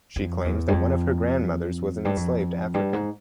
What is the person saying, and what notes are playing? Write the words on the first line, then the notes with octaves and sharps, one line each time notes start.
She claims that one of her grandmothers was an enslaved African.
F2
E2
G2
F2
G2
F2
G2
G#2